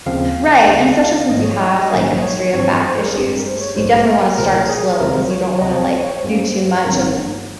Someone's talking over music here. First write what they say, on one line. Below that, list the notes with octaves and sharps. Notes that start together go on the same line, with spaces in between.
Right. And especially since you have, like, a history of back issues, s you definitely wanna start slow cause you don't wanna, like, do too much and
D#2 C#3 F3 C4 F5
C#2 C#3 G#3
F5
G#1 G#2 F3 D#5
C#5
D#5
D#5
A#1 G#2 D#3 A#3 C#4 F5
D#5
C5
C#5
G#1 G2 F3 C4 C#5
D#5
C5
A#4
G#4
G#1 G2 G3 C4 G4
G#4
A#4
C5
C#5
A#1 G#2 G3 C5
A#4
C2 A#2 F3 A#4
G#4
C#2 C3 D#3 A#4
C5
C#5
C#5
C#2 C3 G3 C4 D#5
C5
C#5
C5
C#5
C5
G2 G3 A#3 C#4
G1 G2 F3 C4 A#4